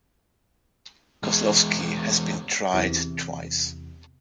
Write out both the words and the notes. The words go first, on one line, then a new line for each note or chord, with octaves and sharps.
Kozlowski has been tried twice.
E2 G#3
E2 C3